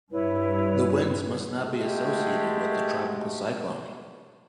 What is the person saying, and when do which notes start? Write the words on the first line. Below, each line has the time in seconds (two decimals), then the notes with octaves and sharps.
The winds must not be associated with a tropical cyclone.
0.12 G2 E4 B4 C#5
1.66 G#3 A3 F#4 G4